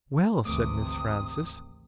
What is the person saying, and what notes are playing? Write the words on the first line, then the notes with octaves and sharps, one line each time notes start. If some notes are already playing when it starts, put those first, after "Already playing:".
"Well!" said Miss Frances.
G#1 D2 C3 E3 A3 D6 D#6